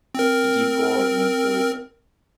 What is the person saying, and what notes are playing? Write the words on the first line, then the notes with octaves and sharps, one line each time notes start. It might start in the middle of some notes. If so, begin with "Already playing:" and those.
A deep gorge runs through it.
C4 A#4